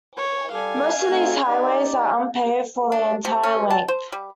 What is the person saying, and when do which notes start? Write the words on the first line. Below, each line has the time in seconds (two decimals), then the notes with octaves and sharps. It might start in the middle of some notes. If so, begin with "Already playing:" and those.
Most of these highways are unpaved for their entire length.
0.17 C#5
0.52 G3 G4 A4 F5 G#5
1.09 A3 C4 D#4
1.47 D#4 G4 D5
2.92 D4
3.25 C3
3.43 C#4
3.70 A5
3.88 C5
4.12 G3